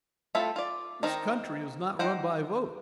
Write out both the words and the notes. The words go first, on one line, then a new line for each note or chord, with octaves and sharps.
This country is not run by votes.
A3 C4 E4 F4 A4
F4 D5
D#3 C4 D#4 A#4
D#4 C5 F#5 G5